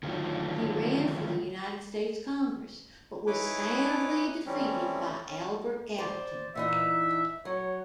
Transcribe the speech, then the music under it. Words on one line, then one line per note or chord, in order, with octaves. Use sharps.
He ran for the United States Congress, but was soundly defeated by Albert Gallatin.
D3 D#3 F3 F#3 A3
D#4 E4 B4 C#5 G#5 D6
E3 G3 A3 C4 C#4
C#4
C5 D5
A#2 E3 D#4 E5
F#3 C#5